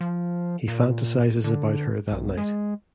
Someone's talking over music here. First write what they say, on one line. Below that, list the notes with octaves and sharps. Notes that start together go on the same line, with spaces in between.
He fantasizes about her that night.
F3
A#2
D3
B1
G#3